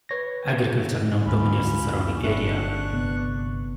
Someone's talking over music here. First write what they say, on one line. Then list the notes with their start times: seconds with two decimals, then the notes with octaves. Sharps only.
Agriculture now dominates the surrounding area.
0.09 B4 C#5 A#6
1.26 D2 C#4 F4 B5
1.48 E4 F#4
2.24 G1 A3 D4 A4 E5 C#6 F#6
2.93 C3 B3